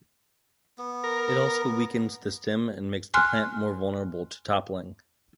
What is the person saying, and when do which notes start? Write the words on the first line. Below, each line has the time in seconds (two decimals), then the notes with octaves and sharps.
It also weakens the stem and makes the plant more vulnerable to toppling.
0.78 B3
1.04 A#4
3.14 G#5 C6 F6 F#6